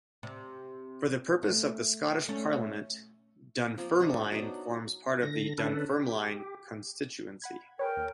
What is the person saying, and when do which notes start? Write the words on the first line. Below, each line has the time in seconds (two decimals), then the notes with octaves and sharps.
For the purposes of the Scottish Parliament, Dunfermline forms part of the Dunfermline constituency.
0.23 C3
1.43 A3
2.29 A3 C#4
3.78 F3 A#3 C4 F4
4.00 D4 E4 F#4 D#5
4.32 F#3 B3 D4 D#4
5.23 D3 A#6
5.58 D3 C#4 D4 A4 B4
6.00 G4
7.42 F#5 B5 G#6
7.79 G#4 A#4 B4 C#5 G5
7.97 D#2